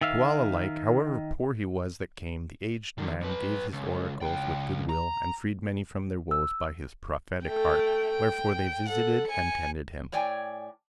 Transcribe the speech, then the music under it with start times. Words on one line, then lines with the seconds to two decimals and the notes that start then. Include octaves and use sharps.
To all alike, however poor he was that came, the aged man gave his oracles with good will, and freed many from their woes by his prophetic art; wherefore they visited and tended him.
0.01 D#3 E5 F5
2.98 D#3 D4
3.20 B1 B4
3.72 C#2
4.21 C#2 G5
4.89 A#5
6.31 E6
7.46 A3 G5
8.10 G5
8.88 A4 F#5
9.28 G#5 C#7
10.12 A2 C#5 D5 G5 G#5